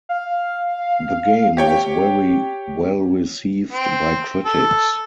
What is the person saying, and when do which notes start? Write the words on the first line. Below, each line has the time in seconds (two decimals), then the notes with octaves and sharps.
The game was very well received by critics.
0.09 F5
1.57 G4 C#5 G5
3.72 C4
4.46 A4